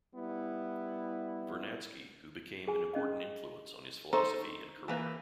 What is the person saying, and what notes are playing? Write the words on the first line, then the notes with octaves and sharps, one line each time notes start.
Vernadsky, who became an important influence on his philosophy and career.
G3 B3 E4
G#4 G#5
C#4 D#5 F5
D#4 A4 C5 A#5 C6 C#6
E3 A#3 B4 G#5